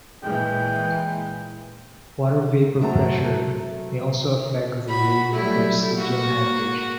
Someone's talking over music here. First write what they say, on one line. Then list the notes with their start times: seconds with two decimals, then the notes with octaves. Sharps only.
Water vapor pressure may also affect the rate of obsidian hydration.
0.24 A#2 E3 G#3 G5
2.81 C3 F#3 A3 A4 A#5
4.89 F#4 B5
5.33 F#3 G3 A3 E4
5.98 A#3 F#4